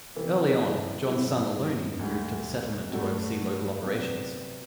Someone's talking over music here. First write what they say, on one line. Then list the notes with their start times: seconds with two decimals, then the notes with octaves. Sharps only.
Early on, John's son Aloney moved to the settlement to oversee local operations.
0.15 C3 E3 B3 E4
1.07 G2 F#3 C4 E4
1.99 D2 D3 G3
2.90 G2 F#3 A3 D4 F#4
3.82 C3 F#3 B3 D4